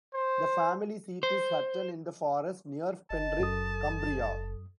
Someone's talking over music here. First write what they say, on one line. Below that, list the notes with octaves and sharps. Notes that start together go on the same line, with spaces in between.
The family seat is Hutton in the Forest, near Penrith, Cumbria.
C5
C5
F#1 D#5 A5
F#2 A4 D#6